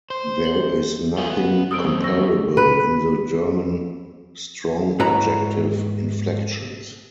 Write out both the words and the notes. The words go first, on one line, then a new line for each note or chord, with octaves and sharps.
There is nothing comparable in the German strong adjective inflections.
C5
F#7
F4 G#4 A4
B3
F#2 C4 D#6 E6 D7
C#6 E6 A#6
B4
G#2 E4 F#4 B4 C#5 A#5